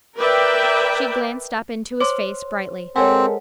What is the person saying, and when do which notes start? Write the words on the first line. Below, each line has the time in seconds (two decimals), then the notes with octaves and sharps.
She glanced up into his face, brightly.
0.17 A#4 B4 D5 E5 G5
2.00 C5 C#5 C6 D6
2.96 G#3 C4 A4 A#4 C5 C#5 F#5 G#5